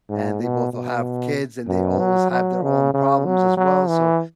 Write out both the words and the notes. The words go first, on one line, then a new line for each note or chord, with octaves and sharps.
and they both will have kids, and they always have their own problems as well, so
G#2
B2
B2
F#2
F#3
F#3
C#3
C#3
F#3
F#3
E3